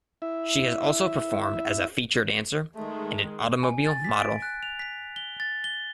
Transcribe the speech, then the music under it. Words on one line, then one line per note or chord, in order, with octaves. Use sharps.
She has also performed as a feature dancer and an automobile model.
E4 E5
D#3 G#3 A3
G#5
A6
B6
D7
F#6
F7
B6
G7
A6
G7